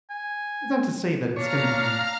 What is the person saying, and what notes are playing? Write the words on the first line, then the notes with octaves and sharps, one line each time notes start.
Not to say that it's gonna be
G#5
D4 C#5 F5 A#5 F6